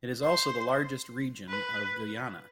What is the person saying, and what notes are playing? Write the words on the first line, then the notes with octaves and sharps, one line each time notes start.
It is also the largest region of Guyana.
C5
B4